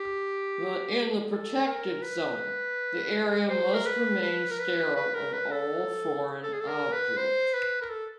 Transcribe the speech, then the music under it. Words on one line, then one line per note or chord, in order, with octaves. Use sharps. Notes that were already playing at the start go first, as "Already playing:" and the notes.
In the protected zone, the area must remain sterile of all foreign objects.
Already playing: G4
A4
A#4
B4
C5
A#4
B4
B4
A#4
B4
B4
A#4
B4
A4
A4
G#4
A4
A#4
B4
C5
B4
A#4
A4